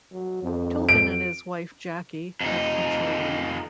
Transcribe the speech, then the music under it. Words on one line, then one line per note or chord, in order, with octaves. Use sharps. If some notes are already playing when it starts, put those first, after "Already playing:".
Tilton and his wife, Jackie, have two children.
F#3
F2
D7
F2 D#4